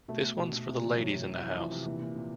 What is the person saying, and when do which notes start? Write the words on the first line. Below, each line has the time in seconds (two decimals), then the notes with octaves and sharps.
This one's for the ladies in the house.
0.08 B2 A3
0.23 B2
0.38 B2
0.53 B2
0.68 C3
0.83 E3
0.97 E3 F#3
1.12 C3
1.27 C3
1.41 E3
1.56 E3 F3
1.71 C3
1.86 A#2 E3
2.01 A#2
2.16 A#2